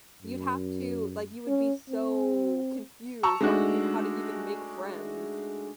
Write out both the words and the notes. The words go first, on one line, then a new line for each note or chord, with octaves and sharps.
you'd have to like, you would be so confused on he how to even make friends.
F#2
C#4
C4
A5 A#5 C#6 E6
G#3 A3 D4 D#4 F#4